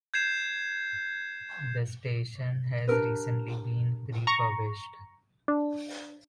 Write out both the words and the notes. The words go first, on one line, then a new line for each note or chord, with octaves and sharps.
The station has recently been refurbished.
G6 G#6 C7 E7
D4 G4 A#4 B4
A#5 C#6
D4